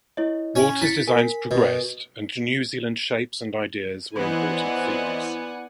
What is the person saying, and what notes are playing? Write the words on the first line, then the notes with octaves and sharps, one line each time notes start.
Walters' designs progressed and New Zealand shapes and ideas were important themes.
E4 C#5 D#5
C#4 G#5
E4 B5 A6 C#7
A#4 G#5
B2
E3 B3 E4 C5 D5 D#5 F#5 G#5